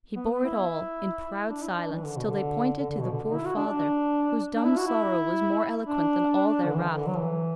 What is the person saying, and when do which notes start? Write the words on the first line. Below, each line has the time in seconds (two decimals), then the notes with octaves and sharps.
He bore it all in proud silence till they pointed to the poor father, whose dumb sorrow was more eloquent than all their wrath.
0.16 B3
0.30 B3
0.45 E4
1.48 D4
1.63 E4
1.70 D4
1.92 E3
2.04 D3
2.17 B2
2.30 D3
2.79 D3
2.90 D3
3.01 B2
3.12 D3
3.23 D3
3.34 E4
3.45 F#4
3.56 D4
3.66 D4
4.55 D4
4.65 E4
4.77 F#4
4.87 E4
5.86 D4
6.65 D3
6.74 E3
6.84 E3
6.95 D3
7.07 F#3
7.18 E3